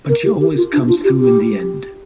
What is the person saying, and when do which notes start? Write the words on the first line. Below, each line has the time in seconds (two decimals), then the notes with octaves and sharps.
But she always comes through in the end.
0.09 A#4
0.25 G4
0.41 G4
0.57 F4
0.73 D4
0.88 F4
1.04 G4
1.20 G4